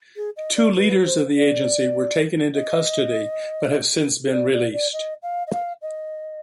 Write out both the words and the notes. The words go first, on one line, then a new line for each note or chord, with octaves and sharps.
Two leaders of the agency were taken into custody but have since been released.
G#4
D#5
D5
B4
C5
D5
D#5
D5
D5
D5
D#5
F5
D#5
F5
D#5